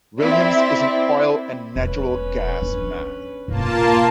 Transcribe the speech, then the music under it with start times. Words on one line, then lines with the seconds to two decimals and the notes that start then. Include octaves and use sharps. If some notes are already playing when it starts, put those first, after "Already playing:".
Williams is an oil and natural gas man.
0.20 C4 E4 D5
1.76 E1 C#4 B4
2.62 D4
3.48 G#2 B2 A#3 F4 A5